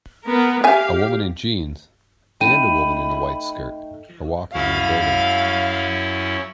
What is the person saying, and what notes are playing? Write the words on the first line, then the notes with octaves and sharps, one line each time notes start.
A woman in jeans and a woman in a white skirt are walking in a building.
B3 A#4
G4 E5 F5 G#5
A3 D#4 G5 B5 D#7
F#2 C#4 E4 F5